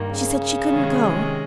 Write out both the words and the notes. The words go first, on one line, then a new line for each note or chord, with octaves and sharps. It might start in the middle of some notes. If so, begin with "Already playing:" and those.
She said she couldn't go.
Already playing: G2 D#3 A#3
C#3
C3 D#3 G#3 C#4 G#4